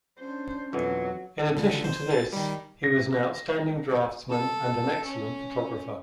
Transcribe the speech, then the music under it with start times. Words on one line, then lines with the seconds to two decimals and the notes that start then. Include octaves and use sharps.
In addition to this, he was an outstanding draftsman and an excellent photographer.
0.19 C#4 D4 C5
0.73 F2 B2 E3 F#3
1.56 C#2 D3
1.84 C5
2.10 A6
2.33 D#3 G3
2.84 A#6
4.30 A4
5.04 C#4